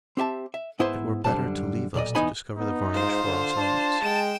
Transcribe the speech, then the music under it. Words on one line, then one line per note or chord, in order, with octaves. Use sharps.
It were better to leave us to discover the varnish for ourselves.
C4 G4 E5 A5
E5
G#2 B3 E4 B4 C5 C6
F#2 D3 F3 G3 C5 A5
B1 A#2 D5 D#5
E2 B3 D#4 G#5 B5
B3 D#4
G#2 F4 C5
D3
D4 A5
G#3 G5 E7